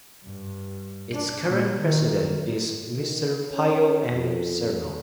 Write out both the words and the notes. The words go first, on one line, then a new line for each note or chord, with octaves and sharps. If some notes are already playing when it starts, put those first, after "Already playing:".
Its current president is Mr. Pio M. Cernal.
G2
D4
A#2
D#3
D#3
C#4
F2